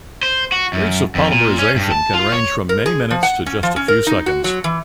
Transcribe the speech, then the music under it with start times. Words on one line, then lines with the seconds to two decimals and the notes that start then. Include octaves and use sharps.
Rates of polymerization can range from many minutes to just a few seconds.
0.23 C5
0.52 F#4
0.73 F#2
1.15 F2
1.32 A#2
1.59 C#4
1.76 G2
1.91 A5
2.14 F4
2.32 C#5
2.69 A#4
2.86 G#4
3.11 F3
3.23 F#5
3.46 C#4
3.63 F3
3.76 C#4
3.88 A#4
4.07 D#4
4.26 F#4
4.44 F#3
4.64 E3